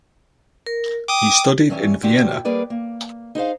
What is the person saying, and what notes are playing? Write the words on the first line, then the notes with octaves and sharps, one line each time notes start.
He studied in Vienna.
A#4
G5 D6 D#6
G2 E3 C#4 C#5 G#5
A#2 D3 D4 F#4 G4
G3 A#3 G#4 B4 D5
A#3
D#4 G#4 C5 F5